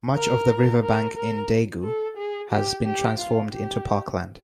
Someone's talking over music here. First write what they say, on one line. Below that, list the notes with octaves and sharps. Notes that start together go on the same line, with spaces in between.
Much of the riverbank in Daegu has been transformed into parkland.
A#4
A#4
A#4
A4
G#4
G4
G4
F4
G4